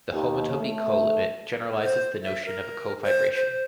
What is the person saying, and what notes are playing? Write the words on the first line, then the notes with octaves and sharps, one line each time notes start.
The homotopy colimit generalizes the notion of a cofibration.
D#2
A3
C5
E5
A#4
C5
C5